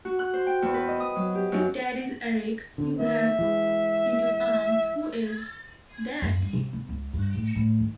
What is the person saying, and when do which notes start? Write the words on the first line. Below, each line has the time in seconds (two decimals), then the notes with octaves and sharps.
If that is Erik you have in your arms, who is — that?
0.05 F#4
0.19 F#6
0.34 C5
0.47 G5
0.62 E2
0.74 B4
0.88 D#5
1.00 D#6
1.16 F#3
1.35 G4
1.52 F#2
2.78 D3
2.99 D#3 A#3 B3 E5
3.39 E3 G#3
6.22 F#2
6.40 G3
6.53 C3
6.73 B3
6.89 C#2
7.13 G2
7.35 A2
7.56 A2
7.80 D#3